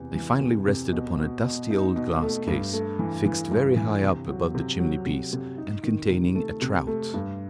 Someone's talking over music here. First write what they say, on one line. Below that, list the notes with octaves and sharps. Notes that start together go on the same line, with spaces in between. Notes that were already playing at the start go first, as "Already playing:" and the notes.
They finally rested upon a dusty old glass-case, fixed very high up above the chimney-piece, and containing a trout.
Already playing: E2 C3
E3
C3
C3
B2
B2
B2
D#4
B2
A3
G2
A3
E3
E3
G2
E3
C3
F#3
C3
F#3
C3
C3
D#4
D#3
C3
A3
C3
A3
G2